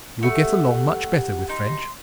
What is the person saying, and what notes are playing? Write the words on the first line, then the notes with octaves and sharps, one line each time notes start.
You will get along much better with French.
A3 G4 F#5
D#4 C6